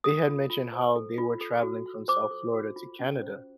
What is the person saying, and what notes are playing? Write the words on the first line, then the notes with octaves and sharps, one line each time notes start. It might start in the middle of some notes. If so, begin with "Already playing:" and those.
They had mentioned how they were traveling from South Florida to Canada.
A4 D#6
F4
F4
C5
A4
F4
A4
F#4
F#4
C5 D6
A4
F#4
F4
C#4
C5